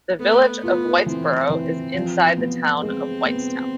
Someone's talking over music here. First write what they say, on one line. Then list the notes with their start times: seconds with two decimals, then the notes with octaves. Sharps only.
The Village of Whitesboro is inside the Town of Whitestown.
0.19 A3 B3
0.63 B3 F4
1.06 E3 C4
1.50 E3
1.94 F3
2.38 B3
2.82 G#3 C4
3.25 B3